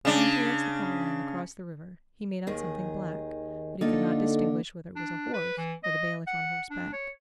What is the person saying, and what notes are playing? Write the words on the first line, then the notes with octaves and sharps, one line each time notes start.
Looking towards the plough land across the river, he made out something black, but he could not distinguish whether it was a horse or the bailiff on horseback.
C#3 D4
D#2 D#3 G#4
D3 A#3 D#4 F4 A4
D4
B4
E3
D#5
F#5
D4
C#5